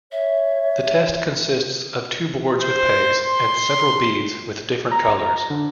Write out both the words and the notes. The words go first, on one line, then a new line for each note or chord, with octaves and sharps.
The test consists of two boards with pegs and several beads with different colors.
C#5 E5
C5
C6
A#5
D3